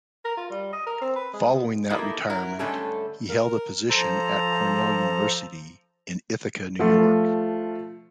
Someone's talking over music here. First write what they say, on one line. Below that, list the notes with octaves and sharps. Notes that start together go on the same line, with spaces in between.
Following that retirement, he held a position at Cornell University in Ithaca, New York.
A#4
F4
G3
D#5
A#4
C4
B4
G#3
B2
A#3 D#4 E4 G4 A4 A#4
F#3 E4 A#4
G#2 D3 G3 A3 C#4 A4
A#4
F3 A4 C5 A#5
F3 A3 F4